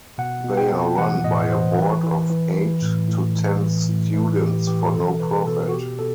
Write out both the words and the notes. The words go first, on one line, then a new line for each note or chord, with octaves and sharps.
They are run by a board of eight to ten students for no profit.
B2 F#5
B2
G5
B2
E3 F#5
A2 D#5
E3 C5
E3 B4
E3
E3
E3
A2
A2
E3
E3
A2
E3 B4
A2 G4
E3 G4
B2 A4
B2 B4
B2 A4
F#4
B2 G4
B2 A4